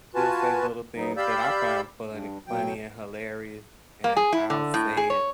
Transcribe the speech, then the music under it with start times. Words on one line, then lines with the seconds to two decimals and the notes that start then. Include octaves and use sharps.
she'll say little things that I find funny funny and hilarious, and I'll say it
0.15 F4 F#4 B4 G#5 A5
0.96 F#3 B3 D#4
1.17 G4 D5 F5 B5 E6 G6
2.11 G2
2.47 B2 F#3 G5
4.04 A#3
4.17 G#4
4.33 E4
4.50 D3
4.74 A2
4.97 G#4
5.10 C#5